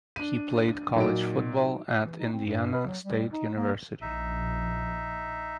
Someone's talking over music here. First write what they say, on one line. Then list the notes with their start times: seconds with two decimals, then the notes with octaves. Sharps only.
He played college football at Indiana State University.
0.16 D4 D#7
0.96 A#2 F#3 D#4 F#4 D7
2.04 E3
2.19 D#4
2.33 C4
2.46 G2
2.74 B4
2.87 F#3
3.03 G3
3.33 D#4
3.56 A#3
4.01 A#1 D#4 E5